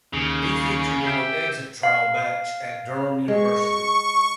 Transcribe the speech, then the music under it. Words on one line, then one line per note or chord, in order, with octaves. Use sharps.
He featured in an exit trial match at Durham University.
D#2 C#3
G4 E5 G5
F5
G#3 C#6